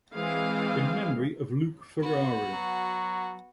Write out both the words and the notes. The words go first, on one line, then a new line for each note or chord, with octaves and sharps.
In memory of Luc Ferrari.
E3 G#3 C4 G#4 F5
B3 F#4
F#3